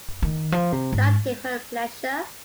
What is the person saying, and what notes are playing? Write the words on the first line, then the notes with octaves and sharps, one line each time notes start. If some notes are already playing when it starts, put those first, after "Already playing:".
That gave her pleasure.
D#3
F3
C3
G#2